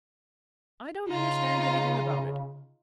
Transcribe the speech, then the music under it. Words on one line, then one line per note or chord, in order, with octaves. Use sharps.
I don't understand anything about it.
C#3 D#4 F4